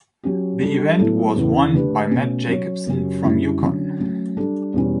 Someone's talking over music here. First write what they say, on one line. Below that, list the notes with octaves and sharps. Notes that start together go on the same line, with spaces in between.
The event was won by Matt Jacobson from Yukon.
F#3 C#4 G4
G3 D4 A4
A2 F#3 B3 E4 A4
E2 C#3 E3 B3 E4
D3 A3 D4 G4 B4
B2 A3 C#4
F#3 C#4 F#4 C#5
F#2 C#3 F#3 C#4 G4
F#2 D3 G3 C#4 E4
D3 F#3 C#4
F#3 A3 C#4
G3 D4 A4
E2 B2 G3 C#4